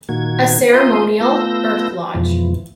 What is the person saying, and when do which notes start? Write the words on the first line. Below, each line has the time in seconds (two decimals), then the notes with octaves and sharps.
A ceremonial earth lodge.
0.09 A#2 D#3 A#3 F#4 G#6
0.74 F4 A#4 E5 C6 D#6 G6
1.20 A3 B3 F4 E6 G6 A#6
2.14 F2 G#2 B2 E3 F3